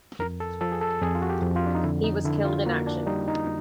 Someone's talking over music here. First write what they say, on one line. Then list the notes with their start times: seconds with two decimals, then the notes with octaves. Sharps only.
He was killed in action.
0.19 F2 A#4
0.40 A4
0.61 F3 A4
0.72 G#4
0.81 A4
1.02 F2 G#4
1.15 F4
1.22 F#4
1.30 G4
1.42 F2
1.56 F4
1.66 D4
1.75 D#4
1.84 D3 E4
2.04 D#4
2.25 D3 E4
2.45 F4
2.65 A#3 F#4
2.87 D4
3.06 G3 D#4
3.28 D#4